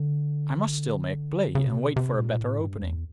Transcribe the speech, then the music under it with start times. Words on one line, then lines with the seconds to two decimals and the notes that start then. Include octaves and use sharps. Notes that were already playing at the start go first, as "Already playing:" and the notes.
I must still make play and wait for a better opening.
Already playing: D3
1.55 C#3
1.67 B2
1.76 C3
1.96 C3
2.17 A#2
2.40 A2
2.60 G2
2.82 E2